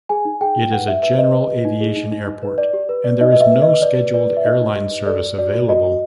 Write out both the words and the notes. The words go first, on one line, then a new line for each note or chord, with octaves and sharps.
It is a general aviation airport and there is no scheduled airline service available.
G#4 G#5
D#4
G#4 G5
D#4
B4 F#5
D#4 E5
B4 E5
B4 D#5
B4
B4
D#4
G#4
D#4
D#4
D#4
B4
D5
G4
B4
D5
D#4 D#5
D#5
B4 E5
B4
D#5
B4
B4 D5
B4
B4 D5
B4
E5
D#4 D#5
D#4
G4
B4
A4 D5
D5
F#4 D5
F#4
F#4 D#5
F#4